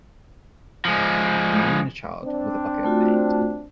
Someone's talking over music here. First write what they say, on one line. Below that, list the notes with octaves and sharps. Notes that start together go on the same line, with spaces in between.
A man and a child with a bucket of paint.
F3 G#3
C4 D4
A3 F4 F#4